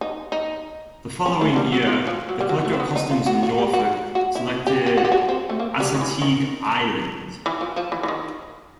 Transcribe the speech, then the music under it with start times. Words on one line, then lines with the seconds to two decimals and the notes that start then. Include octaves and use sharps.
The following year, the Collector of Customs in Norfolk selected Assateague Island.
0.01 D#4
0.32 D#4
1.26 C#4
1.41 A3
1.56 G3
1.72 F#3
1.87 F3
2.07 F3
2.29 F#3
2.40 G3
2.49 F#3
2.65 A3
2.73 C4
2.80 B3
2.96 D#4
3.11 F4
3.26 F#4
3.43 F#4
3.58 G4
3.73 F#4
4.15 F#4
4.35 E4
4.67 G4
4.86 G4
4.97 F#4
5.05 G4
5.12 F#4
5.29 C4
5.50 A3
5.59 A#3
5.80 G3
5.95 D#3
6.01 E3
6.22 D#3
7.46 E3
7.61 F3
7.76 F3
7.92 E3
8.03 E3
8.08 D#3